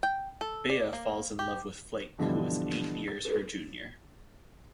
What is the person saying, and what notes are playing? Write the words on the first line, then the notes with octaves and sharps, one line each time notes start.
Bea falls in love with Flake, who is eight years her junior.
G5
A4
D5
A#3
G4
G2 B2 D3 E3 F3 G3
A6